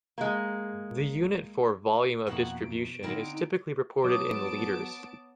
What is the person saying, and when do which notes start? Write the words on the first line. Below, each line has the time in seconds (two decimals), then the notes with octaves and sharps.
The unit for Volume of Distribution is typically reported in liters.
0.18 G#3 A#3
2.27 F2 B2 A3 A#3 E4 F#5
2.63 D7
3.03 D3 C4 D#4 E4 A#4 E5
4.04 F#3 B3 C#5 A5 D6 D#6 D7